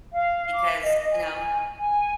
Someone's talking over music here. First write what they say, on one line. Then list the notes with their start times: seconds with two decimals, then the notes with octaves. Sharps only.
because, you know
0.13 F5
0.53 D6
0.83 D#5
1.12 G#5
1.80 G#5